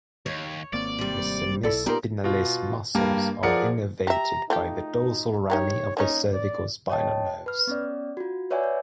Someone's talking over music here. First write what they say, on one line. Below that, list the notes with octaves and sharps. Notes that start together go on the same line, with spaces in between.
The semispinalis muscles are innervated by the dorsal rami of the cervical spinal nerves.
D#2 C#5
G#1 A#3 C4 D5
C3 G3
B1 E4 A4 D5
A#2 C#3 B3 D#4 F4 G4 A#4 D5
B2 F4
G2 G3 A#3
F3 G#4 A#4 D5 F#5 C#7
G4 E5 A#5
A3 D#4 F4 G4
D#4 G4 A#4 C#5
A#3 C#4 D#4 C#5
D5
C#5 D#5 G5 A5
B4 F6
B3 C#4 D5
F4 F#4
B4 C#5 D5 E5 F#5 G#5
G6